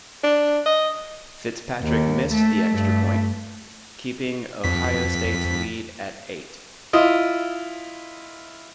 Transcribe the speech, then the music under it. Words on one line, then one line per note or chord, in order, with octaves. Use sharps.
Fitzpatrick missed the extra point, keeping Ohio State's lead at eight.
D4
D#5
D#2
A3
G2 A3
F2 B6
E4 F4 D#5